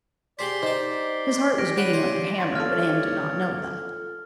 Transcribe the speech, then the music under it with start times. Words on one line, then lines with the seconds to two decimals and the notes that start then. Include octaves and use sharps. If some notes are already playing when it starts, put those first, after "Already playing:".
His heart was beating like a hammer, but Anne did not know that.
0.39 G4 G#4 C5 D5 B6 C7 G7
0.62 D#4 G4 C5
1.58 G4 A#6 D7
1.77 C#5 F#5 B5 A#6 D7 D#7
1.93 C5 C#5
2.39 G2 C#5 D5 C6 C#6 G#6
2.55 F4 A4 F6